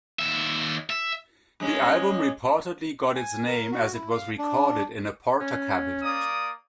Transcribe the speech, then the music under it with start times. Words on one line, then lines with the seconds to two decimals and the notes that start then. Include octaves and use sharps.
The album reportedly got its name as it was recorded in a Portakabin.
0.19 D#2 E5
0.90 E5
1.60 G2 G#3 C#4
3.15 G#5
3.47 A#4
3.72 F#4
3.94 E4
4.11 F5
4.38 D4
5.41 C#4
6.03 A#3 D5 D#6